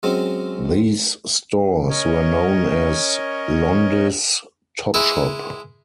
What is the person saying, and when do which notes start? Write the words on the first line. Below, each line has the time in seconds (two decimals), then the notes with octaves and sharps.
These stores were known as "Londis Topshop".
0.03 F#3 G#3 C4 C#4
1.90 C#4 A#4 C#5 D#5
4.94 G#3 E4